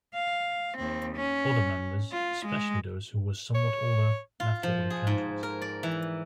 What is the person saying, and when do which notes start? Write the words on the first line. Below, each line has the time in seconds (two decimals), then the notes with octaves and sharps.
Other members, especially those who were somewhat older, left for other countries.
0.14 F5
0.78 D#2 C4
1.16 C#4
2.12 F4
2.46 G#3
3.55 C#5
4.40 F4
4.63 F3
4.90 G#4
5.07 G#2
5.43 A#4
5.62 D5
5.83 E3